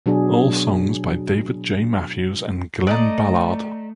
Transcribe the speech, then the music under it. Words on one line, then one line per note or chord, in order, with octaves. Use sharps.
All songs by David J. Matthews and Glen Ballard.
B2 F#3 D4 G#4
A3 D5 D#5 A#5